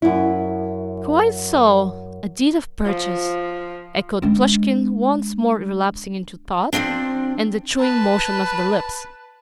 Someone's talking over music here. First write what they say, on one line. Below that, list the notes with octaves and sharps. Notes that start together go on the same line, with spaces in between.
"Quite so--a deed of purchase," echoed Plushkin, once more relapsing into thought and the chewing motion of the lips.
F#2 E4
F3
G#3 D4
F3 A#3 C4 D4
B4 A5